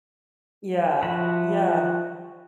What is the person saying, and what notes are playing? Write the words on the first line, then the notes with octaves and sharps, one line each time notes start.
Yeah. Yeah.
F3 F#4 E5 B5